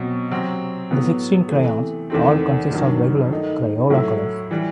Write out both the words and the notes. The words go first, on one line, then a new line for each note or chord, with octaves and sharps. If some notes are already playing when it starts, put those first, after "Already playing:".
The sixteen crayons all consisted of regular Crayola colors.
Already playing: B2 F#3 C4
C3 F#3 C4
A2 F#3 B3
C3 E3 A3
E2 D#3 A3 C4
G2 D#3 F#3
D#3 A3 D#4
A2 F#3 A3 E4
E3 G3